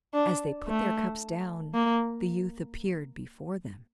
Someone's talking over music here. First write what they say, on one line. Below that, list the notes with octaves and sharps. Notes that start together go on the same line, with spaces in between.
As they put their cups down, the youth appeared before them.
D4
A3
A#3